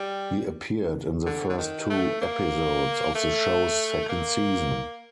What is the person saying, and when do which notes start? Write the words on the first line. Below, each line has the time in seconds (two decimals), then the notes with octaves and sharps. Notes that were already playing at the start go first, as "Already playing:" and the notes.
He appeared in the first two episodes of the show's second season.
Already playing: G3
1.26 D3
1.49 D3
1.58 D#3
1.90 A3
2.21 A#3
3.15 A3
4.09 A#3